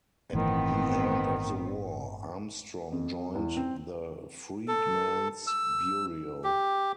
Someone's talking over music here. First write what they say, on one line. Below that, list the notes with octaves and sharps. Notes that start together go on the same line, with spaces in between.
At the end of the war, Armstrong joined the Freedmen's Bureau.
G1 A2 D#3 E3 B3 C4
F2
E2
C4
A4
E6
G4